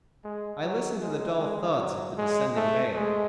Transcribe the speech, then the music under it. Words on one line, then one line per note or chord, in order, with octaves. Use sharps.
I listened to the dull thuds of the descending bale.
G#3
F#3
G#3
G#3
F#3
G#3
A3
G#3